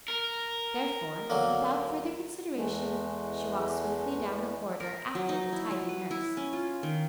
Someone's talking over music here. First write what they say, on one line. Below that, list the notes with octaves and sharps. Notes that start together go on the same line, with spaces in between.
Therefore, without further consideration, she walked swiftly down the corridor after the tidy nurse.
A#4
D2 F#3 A#3
E2 E3 G#3 A3
A#4
F#3
D#4
E4
F#3
B4
E4
C#4
F4
D#3